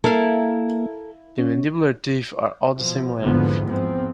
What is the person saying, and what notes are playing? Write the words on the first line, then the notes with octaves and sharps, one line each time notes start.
The mandibular teeth are all the same length.
A#3 E4 A4 A#4 F5
C#4
B2 F3
G#1 E2 G#2 D3 F3 B3
G#2 F3 B3 C4